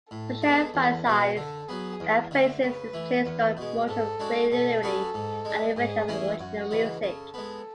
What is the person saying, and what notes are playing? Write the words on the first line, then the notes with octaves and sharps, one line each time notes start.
Special emphasis is placed on the promotion of creativity and the invention of original music.
A2 A4
G#3
B3
E2
B2 G#3
D3 A4
F#3 B3 G#4
E2
D3 A3
C#3 B4
E3 A3
E2
B2 G#3
G#2 A4
G#3 D4 F#4
B2 A4
F#3 C#4 G#4 B4
G#2
G#3
D4
G#2 G#4
E3 A3 C#4 E4
F#2 F#4
C#3 E3 G#3
C#3 A4
G#3 B3